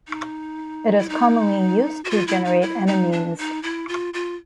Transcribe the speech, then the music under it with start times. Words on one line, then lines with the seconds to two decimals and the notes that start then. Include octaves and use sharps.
It is commonly used to generate enamines.
0.07 D#4
0.99 E4
1.09 D#4
2.05 F#4
2.11 F4
2.28 E4
2.45 D#4
2.61 E4
2.87 D#4
3.12 D4
3.38 D#4
3.63 E4
3.89 F4
4.14 F4